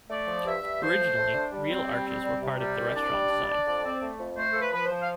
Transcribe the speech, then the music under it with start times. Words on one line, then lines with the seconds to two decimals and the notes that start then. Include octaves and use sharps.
Originally, real arches were part of the restaurant design.
0.09 A3 D5
0.26 F3
0.44 G2 E5
0.62 G2
0.80 F3 C5
0.99 A3
1.17 A3
1.33 D4
1.52 G3
1.70 C4
1.87 G3
2.05 C4
2.23 G3
2.41 C3
2.59 G3
2.76 C2
2.94 D4 D5
3.12 G3
3.30 D4
3.48 D4
3.66 F2
3.83 C4
4.01 A3
4.19 F2
4.36 A3 C5
4.52 F3 A4
4.60 B4
4.72 F3 B4
4.85 C5
4.90 F3
5.00 F5